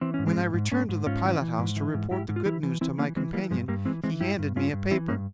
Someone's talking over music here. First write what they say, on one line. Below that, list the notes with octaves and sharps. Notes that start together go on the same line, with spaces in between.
When I returned to the pilot house to report the good news to my companion he handed me a paper.
E3 C4
C#4
G#2
G#3 C4
G#2
G#2
G#2 A#3 C#4
G#2
G#2 C#4 F4
E3
E3
G#2
E3
G#2
G#2 E4 G4
G#2
F4
E3 E4 G4
E3
E3 C4 E4
E3 A#3 C#4
E3 G#3 C4
E3 G3 A#3
G2 F3 G#3
G2 G3 A#3
E3 G#3 C4
E3 G#3 C4
G2 E4 G4
G2
G2 C#4 F4
G2
E3 C4 E4
G2 A#3 C#4